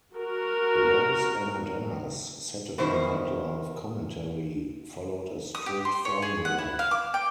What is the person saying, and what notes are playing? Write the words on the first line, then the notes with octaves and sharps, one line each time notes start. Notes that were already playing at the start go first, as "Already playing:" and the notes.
Roseannadanna's "Saturday Night Live" commentary followed a strict formula.
F#4 A#4
B2 D#3 E4 C5
D#6
G4
C6
C#5
G#4
F#5
E4
F5
D6
G5